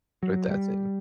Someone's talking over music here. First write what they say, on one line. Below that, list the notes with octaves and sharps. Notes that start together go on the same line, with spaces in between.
with that thing.
F#3
G3